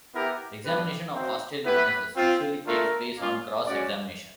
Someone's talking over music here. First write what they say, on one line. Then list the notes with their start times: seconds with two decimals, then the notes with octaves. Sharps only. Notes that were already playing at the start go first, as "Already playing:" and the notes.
Examination of hostile witnesses usually takes place on cross-examination.
0.15 B3 E4 G4 A#4
0.65 G3 B3 D4 B4
1.15 C4 D#4 F#4 C5
1.65 B3 E4 G4 B4
2.16 C4 F4
2.66 A3 D4 F4 A#4
3.16 A#3 C#4 F4
3.67 G#3 C#4 F#4 D5